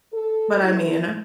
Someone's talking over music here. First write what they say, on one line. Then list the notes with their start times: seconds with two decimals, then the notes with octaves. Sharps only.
but I mean,
0.13 A4
0.63 E4